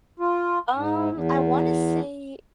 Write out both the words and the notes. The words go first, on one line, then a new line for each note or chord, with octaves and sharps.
Um, I wanna say
F4
G#2
E2